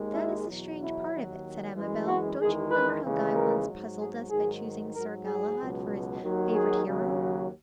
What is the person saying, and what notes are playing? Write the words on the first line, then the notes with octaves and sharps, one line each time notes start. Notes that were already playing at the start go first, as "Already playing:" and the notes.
'That is the strange part of it,' said Amabel. 'Don't you remember how Guy once puzzled us by choosing Sir Galahad for his favourite hero?
Already playing: D#2 D#3 G#3
E4
E2 B2 F#3
E4
D#2 D#3 F#3
F#2 E3 G#3
F#4
E2 D#3 G#3 G#4
B4
D#2 C#3 E3 G#3
A#4
G#2 F#3
G#4
G#2 D#3 F#3 G#4
G#2 F#3 A#4
G#4
C#2 B2 F#3
D#2 D#3 F#3
G#4
D#2 C#3 F#3